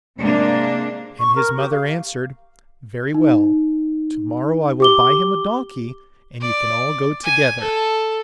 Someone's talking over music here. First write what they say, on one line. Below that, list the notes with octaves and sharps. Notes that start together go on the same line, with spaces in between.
And his mother answered, 'Very well; to-morrow I will buy him a donkey, and you can all go together.'
C3 G#3 A#3 D4
C#6
A#4
G4
F5
D#4
G4 D6 G7
D5
G#5
A4